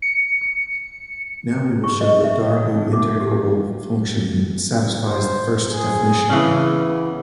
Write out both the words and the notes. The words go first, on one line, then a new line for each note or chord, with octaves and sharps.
Now we will show that a Darboux integrable function satisfies the first definition.
C#7
C#6
D#5
E5
F#5
D#4
D6
G4
C5
G#4
C#3 E3
B3